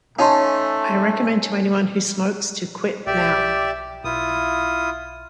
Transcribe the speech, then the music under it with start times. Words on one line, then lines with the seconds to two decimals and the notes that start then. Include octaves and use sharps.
I recommend to anyone who smokes to quit now.
0.19 A3 C#4 D#4 G#5 A5 C6
3.06 B1 G4 D5 E5
4.04 B1 E4 F4 D#6